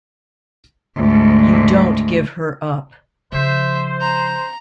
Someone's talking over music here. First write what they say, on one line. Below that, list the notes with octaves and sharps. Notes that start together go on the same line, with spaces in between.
You don't give her up.
D2 G#2
C#3 F3 C5 E5
A#5